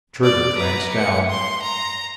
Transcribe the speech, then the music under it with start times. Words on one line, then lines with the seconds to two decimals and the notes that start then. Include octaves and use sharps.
Trigger glanced down.
0.24 D5
0.55 B4 A#5
0.94 C#7
1.30 C6
1.62 A#5